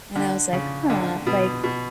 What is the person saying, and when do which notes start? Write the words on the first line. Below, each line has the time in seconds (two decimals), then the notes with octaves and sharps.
and I was like, "Huh," like,
0.16 D3
0.53 C#3
0.90 D3
1.27 B2
1.64 B2